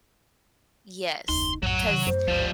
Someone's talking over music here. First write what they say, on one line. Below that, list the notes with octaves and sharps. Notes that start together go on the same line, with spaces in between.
Yes, 'cause
F#1 D#2 D#4 C6
B1 F#2 A2 F#3 F#5
C3 D#3 C#4
G#1 F#2 A3 C5
G#1 D2 G2 F3 G3